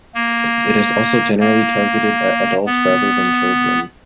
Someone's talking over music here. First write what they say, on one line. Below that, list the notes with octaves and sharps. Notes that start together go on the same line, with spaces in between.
It is also generally targeted at adults, rather than children.
A#3
A#3
B3